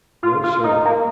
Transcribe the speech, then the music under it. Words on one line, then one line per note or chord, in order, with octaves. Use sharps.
No, sir!
F4
F4
D#4
A#3